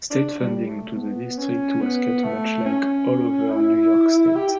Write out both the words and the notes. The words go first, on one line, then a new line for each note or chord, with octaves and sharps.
State funding to the district was cut much like all over New York State.
D4
G3
A3
B3
C#4
B3
A3
C#4
E4
G4